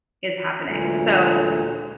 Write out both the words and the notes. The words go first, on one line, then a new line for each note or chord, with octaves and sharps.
is happening?" So
D2 A#2 D3 E3 F#3 G#3